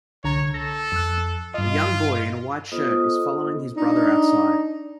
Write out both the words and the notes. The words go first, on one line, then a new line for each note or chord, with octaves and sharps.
A young boy in a white shirt is following his brother outside.
C2 D3 C#5 A#5
A4 A#6
F2 E6 F#6
G2 F4 D#5
B3 F4 A4 C5 D#5 D#6
D4 D#4